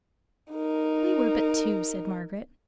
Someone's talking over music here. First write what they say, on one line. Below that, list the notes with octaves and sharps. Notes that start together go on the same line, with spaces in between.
'We were but two,' said Margaret.
D#4 A#4